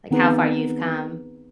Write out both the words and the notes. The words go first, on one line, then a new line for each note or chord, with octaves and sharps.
like, how far you've come
D#3 B3 C4 D#4 G#4 B4